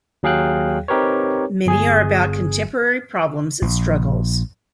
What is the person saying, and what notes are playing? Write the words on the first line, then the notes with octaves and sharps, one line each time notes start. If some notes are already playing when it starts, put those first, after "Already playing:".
Many are about contemporary problems and struggles.
D#2 F#3 G#4 F5 G5 F#6
C4 D#4 G4 A#4 B4 C#5
G1 G#4 G#5
A#1